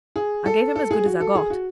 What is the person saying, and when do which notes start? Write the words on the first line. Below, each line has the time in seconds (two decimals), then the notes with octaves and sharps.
I gave him as good as I got.
0.16 G#4
0.46 A4
0.76 A4
0.91 G#4
1.05 F#4
1.20 A4
1.35 G#4
1.50 F#4